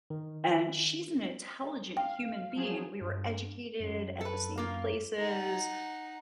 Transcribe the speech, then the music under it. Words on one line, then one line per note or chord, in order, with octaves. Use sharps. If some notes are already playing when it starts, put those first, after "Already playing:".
And she's an intelligent human being, we were educated at the same places
D#3
F5 G5
F3 F#3 G#4
G2
F#2
A4 B4
A#3 F4
D#4 F#5